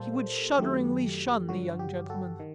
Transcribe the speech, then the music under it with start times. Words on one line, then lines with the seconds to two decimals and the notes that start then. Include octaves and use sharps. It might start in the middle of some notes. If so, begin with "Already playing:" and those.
He would shudderingly shun the young gentleman.
Already playing: A#2 G3 A#3 A4 C5
0.58 F#2 D#3 F#3 A3 G4
1.49 G2 D3 F#3 F#4
1.79 G4
2.10 F#4 A4
2.40 D#3